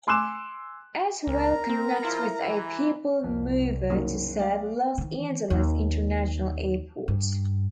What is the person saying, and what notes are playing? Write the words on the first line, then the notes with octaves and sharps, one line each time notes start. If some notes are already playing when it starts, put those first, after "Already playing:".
It will connect with a people mover to serve Los Angeles International Airport.
G#5 C6 D6 E6 F#6 E7
C#2 A#4 A#5
C4 A#4
F3 G#3 E4 F4
E3
C2 F2
F#1 D#3 F#3 A#3 A#4
G#3 D5 F5
D#3 E3
D#2
G2